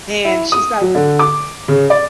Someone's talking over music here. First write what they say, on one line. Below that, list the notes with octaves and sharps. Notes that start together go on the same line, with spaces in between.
and she's like,
E4
D#6
F#3
D3
D6
C#3
D5